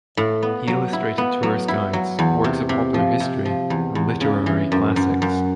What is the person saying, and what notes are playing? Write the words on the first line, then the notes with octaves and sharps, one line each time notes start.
He illustrated tourist guides, works of popular history, and literary classics.
A2
B3
F#3
E4
B3
F#3
E4
F#3
E2
C3
C3
F3
C3
F3
E2
E2
C#3
E3
F#2
F#2
F#2